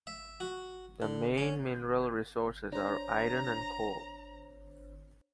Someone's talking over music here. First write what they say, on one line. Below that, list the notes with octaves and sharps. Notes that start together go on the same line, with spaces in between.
The main mineral resources are iron and coal.
E5
F#4
D3
C#4
D4 C5 C#5 A#5